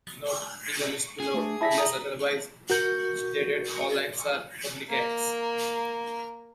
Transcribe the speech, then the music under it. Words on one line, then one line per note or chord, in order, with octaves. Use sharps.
Note: In the lists below, unless otherwise stated, all Acts are Public Acts.
G#4
A3 D4
E4 G4 E5 A5 B5 A#6 B6
A#5 D#6
F#4 A#4 G6
A#3 A#4